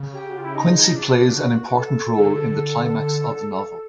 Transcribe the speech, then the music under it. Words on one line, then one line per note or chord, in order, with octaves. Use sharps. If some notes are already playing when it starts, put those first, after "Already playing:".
Quincey plays an important role in the climax of the novel.
Already playing: C#3
G4
F#4
F4
E4
D#4
D4
F#4
A4
D3